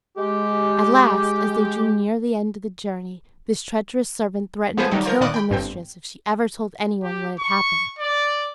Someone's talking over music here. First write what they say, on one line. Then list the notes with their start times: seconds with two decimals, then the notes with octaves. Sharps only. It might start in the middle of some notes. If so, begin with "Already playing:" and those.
At last, as they drew near the end of the journey, this treacherous servant threatened to kill her mistress if she ever told anyone what had happened.
0.17 G#3 G4
4.77 F3 B3 G#4 A4 B4 C5
4.91 D#3 F#3 G3 D#4
5.05 F3 A#4 G6
5.21 A#2 D#3 B3 D5 D#5 F#6
5.34 G5 B5
5.50 G1 G2 C4 G5
7.03 G4
7.39 C#6
7.99 D5